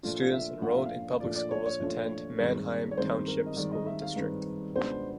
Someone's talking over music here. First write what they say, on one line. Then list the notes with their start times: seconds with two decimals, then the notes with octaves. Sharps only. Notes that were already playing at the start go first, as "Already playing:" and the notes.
Students enrolled in public schools attend Manheim Township School District.
0.03 A#2 F3 A3 D4 F4
0.21 F5
0.33 E5
0.61 A#2 F3 A3 D4 F4 F#5
0.69 F5
0.77 E5
0.86 F5
1.20 A#2 F3 A3 D4 F4 D5
1.35 D5
1.51 C#5
1.66 C#5
1.80 A#2 F3 A3 D4 F4
2.39 G2 D#3 G#3 C4
2.91 C#5
2.97 G2 D#3 G#3 C4 C5
3.28 A#4
3.46 D#5
3.56 G2 D#3 G#3 C4 D5
3.72 D#5
3.86 E5
4.01 F5
4.16 G2 D#3 G#3 C4 B4
4.75 C#2 B2 G#3 B3 D4 C5